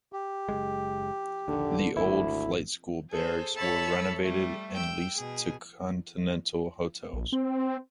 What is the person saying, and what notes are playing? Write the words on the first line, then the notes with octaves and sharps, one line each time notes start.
The old flight school barracks were renovated and leased to Continental Hotels.
G4
F#1 D#2 G#3
A#1 D#2 D3
G#1 D2 E4
G#4 A4 C5
A4 C#5 E5 A5 B5 E6
G3 A3
G5 E6
B2 G#4
A#1
C4